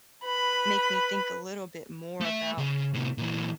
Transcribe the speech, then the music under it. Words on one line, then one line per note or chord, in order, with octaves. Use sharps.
make me think a little bit more about
B4 B5
A3 E5
C#3
A2 C3
A#2 E3